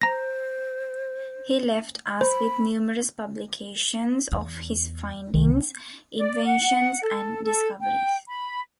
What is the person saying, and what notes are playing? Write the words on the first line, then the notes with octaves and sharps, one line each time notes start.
He left us with numerous publications of his findings, inventions, and discoveries.
C5 A#5 A#6
C5 B5
E2
C2 D#3
D5
F#5
A4
A4
G5
B5